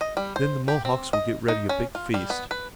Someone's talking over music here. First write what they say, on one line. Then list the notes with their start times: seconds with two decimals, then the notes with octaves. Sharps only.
Then the Mohawks will get ready a big feast.
0.01 D#5
0.17 G3
0.36 C5
0.68 G4
0.85 C4
1.13 D#5
1.48 D#4
1.69 C#4
1.95 F4
2.14 G3
2.30 B3
2.51 B4